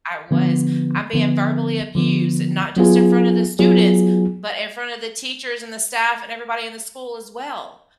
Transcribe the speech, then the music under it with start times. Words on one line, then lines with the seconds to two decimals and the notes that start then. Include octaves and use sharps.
I was. "I'm being verbally abused, not just in front of the students, but in front of the teachers and the staff and everybody in the school as well,"
0.31 D3 F3 B3
1.14 D3 F3 B3
1.95 D3 F3 B3
2.77 F#3 B3 F4 G#4
3.59 F#3 B3 F4 G#4